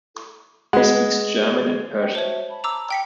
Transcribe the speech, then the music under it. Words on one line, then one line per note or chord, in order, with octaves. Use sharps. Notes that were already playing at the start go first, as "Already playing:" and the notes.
He speaks German and Persian.
G#3 B4 F#5
C#4 D#5 G5
F#4 C5 C#5 E5 A5
A5 B5
A#5 D6 E6
G5 B6 C#7